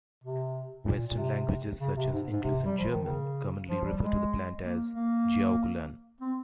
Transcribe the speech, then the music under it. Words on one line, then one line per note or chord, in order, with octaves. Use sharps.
Western languages such as English and German commonly refer to the plant as jiaogulan.
C3
A#2
A#2
A#2
C3
C#3
C3
G#2
G#2
C3
G3
F3
D#3
C#3
F3
G3
G#3
A#3
A#3
C4